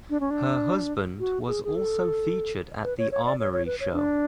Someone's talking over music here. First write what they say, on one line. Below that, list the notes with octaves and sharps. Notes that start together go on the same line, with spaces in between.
Her husband was also featured at the Armory Show.
D4
C#4
D4
F#4
G#4
G#4
A4
B4
C#5
C#5
D5
C#5
C#5
B4
C#5
D4